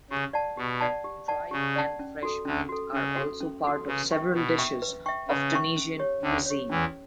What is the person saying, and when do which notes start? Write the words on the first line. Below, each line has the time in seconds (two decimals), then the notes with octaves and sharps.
Dried and fresh mint are also part of several dishes of Tunisian cuisine.
0.10 C#3 G4
0.33 D5 F#5 A5
0.57 B2 G4
0.81 D5 F#5 A5
1.04 G4
1.28 D5 F#5 A5
1.51 C#3 G4
1.76 D5 F#5 A5
1.99 C#4
2.23 F#4 A4
2.45 D2 D3 C#4
2.69 F#4 A4
2.93 C#3 C#4
3.16 F#4
3.21 A4
3.41 C#4
3.64 F#4 A4
3.87 C#3 B4
4.11 E5 G5 C#6
4.34 B2 B4
4.58 E5 G5 C#6
4.82 B4
5.06 E5 G5 C#6
5.28 C#3 B4
5.53 E5 G5 C#6
5.76 C#4
5.99 G4 C#5
6.22 D2 D3 C#4
6.46 G4 C#5
6.70 E2 E3 C#4